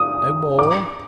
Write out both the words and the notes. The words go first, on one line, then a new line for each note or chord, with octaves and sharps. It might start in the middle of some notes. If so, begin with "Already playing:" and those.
No more?
Already playing: D#6
D6